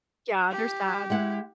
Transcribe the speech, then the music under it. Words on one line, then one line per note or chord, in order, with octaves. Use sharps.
Yeah, they're sad.
G4
G#3 E4 F#5